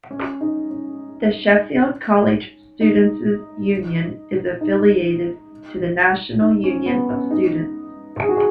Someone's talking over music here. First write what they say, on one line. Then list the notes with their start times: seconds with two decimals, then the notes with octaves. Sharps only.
The Sheffield College Students' Union is affiliated to the National Union of Students.
0.10 C#4
0.41 D#4
0.70 C#4
2.81 D#4
4.61 D#4
6.41 D#4
6.64 C#4
6.86 B3
7.09 C#4
7.31 D#4
8.22 G#4
8.29 F#4
8.35 G#4